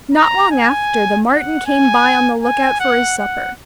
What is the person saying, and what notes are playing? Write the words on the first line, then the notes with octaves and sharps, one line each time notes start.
Not long after the marten came by on the look out for his supper.
A#5
G#5
F#5
G#5
G#5
F#5
F#5